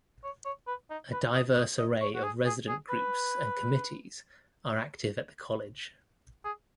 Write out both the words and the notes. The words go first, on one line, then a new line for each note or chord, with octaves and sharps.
A diverse array of resident groups and committees are active at the college.
C#5
C#5
B4
D#4
B4
D#5
D#5
D#5
C#5
F#4
G#4
G#4
G#4
B4
G#4